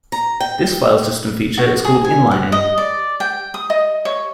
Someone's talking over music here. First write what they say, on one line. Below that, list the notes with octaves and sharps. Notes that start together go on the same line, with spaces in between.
This file system feature is called inlining.
A#5
G5
F#4
G#4
G#5
F#5
D#5
D5
G5
D#6
D#5
C#5